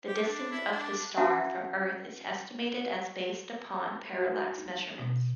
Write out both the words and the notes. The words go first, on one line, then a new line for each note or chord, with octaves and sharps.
The distance of this star from Earth is estimated as based upon parallax measurements.
G4
D4
E4
D4
C#4 F#4 E5 F#5 G#5 A#5
F#4
D#4
B2